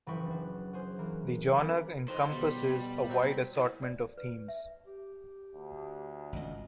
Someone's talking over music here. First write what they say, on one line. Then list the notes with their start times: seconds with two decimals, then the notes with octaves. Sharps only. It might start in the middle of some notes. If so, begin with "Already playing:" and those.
The genre encompasses a wide assortment of themes.
0.07 F#1 E3 F3 B4 G5 C#6
0.26 D4 F#4
0.73 F#4 G#4 C5
0.99 E3 A#3
1.56 B3 C#4 A#4 D5 A#5 B5
2.08 F2 D#3 C5 C6
2.31 B2 G3
3.09 F#3 C4
3.54 C2
3.82 D5
4.17 B4
4.48 E5
4.87 G4
5.54 D2
6.33 G#1 C#2 D#5